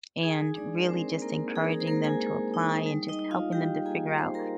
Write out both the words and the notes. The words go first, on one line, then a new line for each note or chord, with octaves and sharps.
and really just encouraging them to apply, and just helping them to figure out
D#4 G#4 G#5
G#3 D4 D5
A#4
G#3 C4 C5
A#3 D#4 A#4
D#4 G#4
A#4
G#4
C5
G#3 A#3 A#4
G#4 G#5
G#3
D#4
G3
D#4 D#5
D#4
F4 F5
G3 G4 G5
A#3 G#4 G#5
G3 C5 C6
A#4 A#5